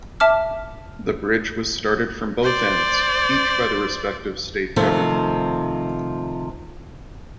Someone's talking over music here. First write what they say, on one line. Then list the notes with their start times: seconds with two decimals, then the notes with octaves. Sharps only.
The bridge was started from both ends, each by the respective state government.
0.20 E5 A5 D6 F6
2.43 C5 D5
4.76 C3 D#3 F3 A3